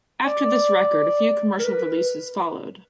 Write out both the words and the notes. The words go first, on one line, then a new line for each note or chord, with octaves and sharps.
After this record, a few commercial releases followed.
D5
A#4
B4